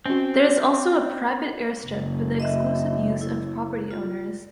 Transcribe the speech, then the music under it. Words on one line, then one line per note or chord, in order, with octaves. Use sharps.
There is also a private airstrip for the exclusive use of property owners.
C4 C#4 F#4
F#1
D#5 E5
E4
F4